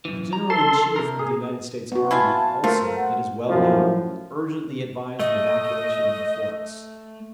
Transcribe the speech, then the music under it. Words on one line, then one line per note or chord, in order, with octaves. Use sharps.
The General-in-Chief of the United States Army, also, it is well known, urgently advised the evacuation of the forts.
F#2 E3
A#5
A4 A5 C6
C3 A#4
G#4
B3 F#4
E4 F4 G#5 A5
A3 F4 A#4 C5
F#5
F#2 A2 F3
A3 D#5